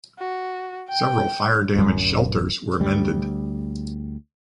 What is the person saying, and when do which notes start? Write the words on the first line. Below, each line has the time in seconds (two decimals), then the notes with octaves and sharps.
Several fire-damaged shelters were mended.
0.19 F#4
0.88 G5
1.76 D1 F#2
2.80 D2 G3